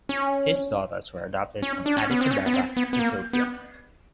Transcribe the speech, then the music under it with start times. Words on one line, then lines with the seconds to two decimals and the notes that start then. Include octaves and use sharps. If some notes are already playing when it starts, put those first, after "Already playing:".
His daughters were adopted from Addis Ababa, Ethiopia.
0.09 C#4
1.62 C#4
1.86 D4
1.97 C#4
2.11 B3
2.21 C4
2.31 C#4
2.46 B3
2.54 C4
2.77 B3
2.93 B3
2.99 A#3
3.33 B3